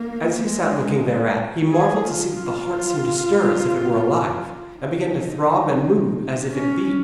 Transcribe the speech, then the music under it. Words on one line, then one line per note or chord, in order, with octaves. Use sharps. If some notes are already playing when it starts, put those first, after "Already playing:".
As he sat looking thereat, he marvelled to see that the heart seemed to stir as if it were alive, and began to throb and move as if it beat.
Already playing: A#3
G#3
G#4
F4
D#4
C#4